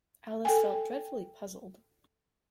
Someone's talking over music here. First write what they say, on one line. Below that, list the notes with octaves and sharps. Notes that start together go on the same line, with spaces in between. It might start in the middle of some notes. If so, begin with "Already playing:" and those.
Alice felt dreadfully puzzled.
A4 G5 G#5